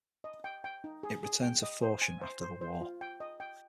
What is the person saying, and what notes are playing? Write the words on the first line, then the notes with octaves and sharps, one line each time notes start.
It returned to Foshan after the War.
D#5
G5
G5
D#4
G#4
G#4
G5
D#5
C5
G#5
C5
C5
C5
F4
G5
D#5
G5